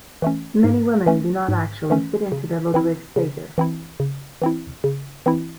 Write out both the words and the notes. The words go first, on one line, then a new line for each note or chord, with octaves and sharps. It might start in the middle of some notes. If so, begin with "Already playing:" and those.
Many women do not actually fit into the Ludwig stages.
E3 A3 C#4
G#2
E3 A3 C#4
G#2
E3 A3 C#4
C#3
E3 C4 E4
C#3
E3 C4 E4
C#3
E3 C4 E4
C#3
E3 C4 E4